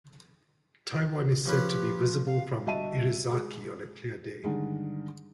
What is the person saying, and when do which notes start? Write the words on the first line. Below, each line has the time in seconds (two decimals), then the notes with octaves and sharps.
Taiwan is said to be visible from Irizaki on a clear day.
1.46 F3 C#4 G4 B4
2.27 F5
2.66 G1 F#4 D#5 E5 A5 D#7
3.32 G#3
4.44 G2 D3 D#3 G#3